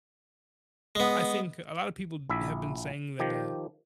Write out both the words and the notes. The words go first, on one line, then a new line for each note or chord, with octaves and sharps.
I think a lotta people have been saying that, uh
G#3 B3
A#1 E4 E5
D#3 F3 G4